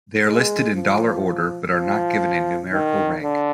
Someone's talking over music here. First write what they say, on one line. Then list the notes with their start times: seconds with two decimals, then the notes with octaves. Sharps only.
They are listed in dollar order, but are not given a numerical rank.
0.25 G#3
0.74 F3
1.74 F3
2.73 D#3
3.23 D3